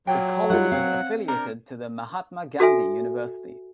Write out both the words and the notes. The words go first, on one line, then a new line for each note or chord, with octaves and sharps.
The college is affiliated to the Mahatma Gandhi University.
A#2 F#3 G5
G3 D#4 F4 F#5
C4 C#5 F5
C3 D4 A#4 D5 A#5
F#4 A4 E5 G#5